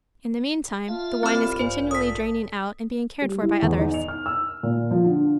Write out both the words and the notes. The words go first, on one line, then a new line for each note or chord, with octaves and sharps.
In the meantime, the wine is continually draining out and being cared for by others.
F4 E5 F5 A5
C2 C4 B5
A1 G2 A#2 C5
A4 D#6 B6
G3
E4
E2
D#4
F7
F6
E6
A#2
F3
D3